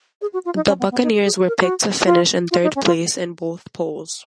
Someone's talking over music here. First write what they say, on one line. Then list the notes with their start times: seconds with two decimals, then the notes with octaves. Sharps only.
The Buccaneers were picked to finish in third place in both polls.
0.21 G#4
0.33 F#4
0.45 F4
0.56 D#4
0.68 C#4
0.79 B3
0.91 B3
1.03 D#4
1.13 G#4
1.25 G#4
1.37 F#4
1.48 A#4
1.60 F#4
2.06 F4
2.51 F4
2.63 D#4
2.75 C#4
2.86 F4